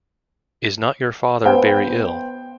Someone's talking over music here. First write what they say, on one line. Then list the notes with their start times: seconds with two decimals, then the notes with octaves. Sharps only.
Is not your father very ill?
1.45 B3 C5 G5